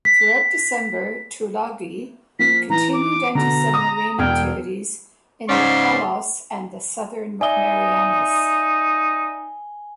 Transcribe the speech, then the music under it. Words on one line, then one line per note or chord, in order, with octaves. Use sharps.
Throughout December, "Tulagi" continued antisubmarine activities in the Palaus and the southern Marianas.
B6
F3 A#3 B6
E3 A#5
D6
B2 D3 A#5
D#6
E1 G5 F6 G#6
G#2 C#3 C#4 D5 C6
D#4 D5 E5 G#5 D#6 G7